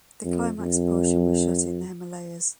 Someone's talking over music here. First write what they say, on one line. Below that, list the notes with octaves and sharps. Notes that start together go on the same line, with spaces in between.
The climax portion was shot in the Himalayas.
F2
F2